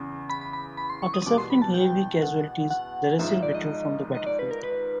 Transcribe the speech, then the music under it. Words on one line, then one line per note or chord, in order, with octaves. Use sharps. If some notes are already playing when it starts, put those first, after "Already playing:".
After suffering heavy casualties, the Russians withdrew from the battlefield.
Already playing: E2 C#3 E3
B5
B5
B5
B5
C6
C#6
D#6
E2 B2 G3 B3 D6
C6
B5
A5
G5
F#5
F#5
G#1 G#2 F3 E5
E5
D5
D#5
D#5
D5
B4
A#4
B4